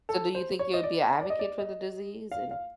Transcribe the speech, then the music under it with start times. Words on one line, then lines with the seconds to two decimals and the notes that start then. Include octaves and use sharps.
So do you think you'll be a advocate for the disease? And
0.09 A4
0.35 C5
0.59 C#5
0.74 D#5
0.83 D5
1.21 D5
1.30 D#5
1.39 D5
1.58 D#5
2.32 F5
2.51 F5